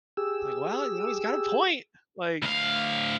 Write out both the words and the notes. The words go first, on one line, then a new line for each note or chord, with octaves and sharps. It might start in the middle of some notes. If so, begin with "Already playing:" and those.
like, "well, you know, he's got a point, like"
G4 G#4 E6
D2 F5